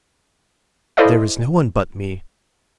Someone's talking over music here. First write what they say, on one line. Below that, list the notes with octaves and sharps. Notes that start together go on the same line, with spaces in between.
"There is no one but me."
E4 A4 C5 D5 D#5 F5